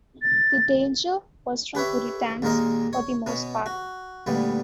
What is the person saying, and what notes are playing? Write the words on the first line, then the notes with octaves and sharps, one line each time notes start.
The danger was from Puritans, for the most part.
A6
G4 B4 C#5 E5
D#2 A#2 G#3 D#4 A#4 D#5
C#5
B2 B3 C#4
F#4
D2 A#2 G3 B3